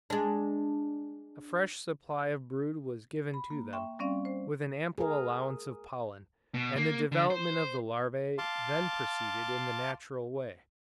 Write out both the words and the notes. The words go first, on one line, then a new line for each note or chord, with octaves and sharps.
A fresh supply of brood was given to them, with an ample allowance of pollen, and the development of the larvae then proceeded in the natural way.
G#3 D4
B5
A#3
E5 G5 C6 C#6
G3 C4 C#4 D5 F5
C5
G#4 A#4
B2
A#3
D3
C5
F5 A5 C6 D6